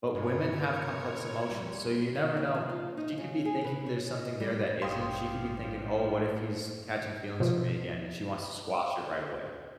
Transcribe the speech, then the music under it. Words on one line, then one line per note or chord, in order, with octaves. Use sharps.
But, women have complex emotions, so you never know. She could be thinking there's something there that isn't. She could be thinking, oh, what if he's catching feelings for me again, and she wants to squash it right away.
G2 C#3 E3 A#3 A#4 C#5 C6 G#6
G3
D#3
D#2
F3
F4
D#4
C#3
G#4
B4
C#5
D#5
G3
A1 G2 F3 F4 G4 C6 C#6 D#6
B2 F3